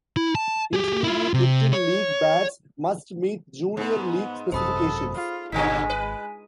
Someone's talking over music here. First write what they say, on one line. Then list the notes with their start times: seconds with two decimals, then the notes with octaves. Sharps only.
Intermediate Little League bats must meet Junior League specifications.
0.17 E4
0.35 A5
0.73 G4 G#4
1.04 E4 F4
1.34 C3
1.73 C#5
3.77 G#2 B3
4.52 G#1 F#2 C3 A4 C5 B5 D#6
5.15 F4
5.52 G#1 A#2 D3 G#3 D#4 G#5 B6
5.90 B4